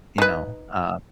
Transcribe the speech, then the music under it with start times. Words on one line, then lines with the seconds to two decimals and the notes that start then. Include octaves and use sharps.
you know, uh
0.18 D#4 B4